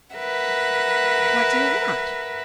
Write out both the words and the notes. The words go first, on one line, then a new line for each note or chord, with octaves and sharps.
"What do you want?"
A#4 B4 E5 F#5